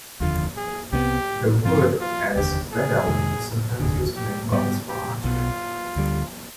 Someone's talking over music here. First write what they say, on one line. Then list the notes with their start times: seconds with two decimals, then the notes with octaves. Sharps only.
The wood, as 'red elm', is sometimes used to make bows for archery.
0.20 F1 D#2 D3 F3 F4
0.57 G#4
0.92 C2 C3 D#3 B3 G4
1.64 G2 F3 C4 F4
2.00 F4
2.36 F1 D#2 D3 G4
2.73 G#4
3.08 F2 C3 D#3 G#3
3.80 F1 D#2 D3 G#4
4.16 G4
4.52 G#2 G3 B3 G4
4.88 G4
5.24 B1 B2 B3 F4
5.96 D2 D3 G3